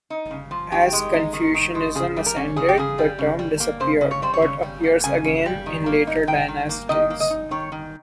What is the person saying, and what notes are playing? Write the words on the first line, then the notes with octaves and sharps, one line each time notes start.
As Confucianism ascended the term disappeared, but appears again in later dynasties.
D#4
C#3
F3
D#3 G4
G#3
D#4
D#3
D#3
G#3
C#3 G#4
G3
A#4
C#4
C#3 G#4
G4
C#3 G#4
G3
C#3
G3
A#3
C#3 C5
C#3
C#5
G3 C5
C#5
C#3
G3
A#3
C#3 G#5
C#3
G3
D#3
A#3
D#4
D#3 G5
D#3
A#3
D#3 D#5
A#3
D#5
D#4
D#3 C#5
D#3